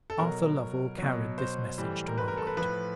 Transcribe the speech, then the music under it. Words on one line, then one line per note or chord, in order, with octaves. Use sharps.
Arthur Lovell carried this message to Margaret.
A4
B2 F#3 A#4
B2 F#3
C5
A2 E3 G3
A#4
B4
A#4
A4
B4
A2 F3 B4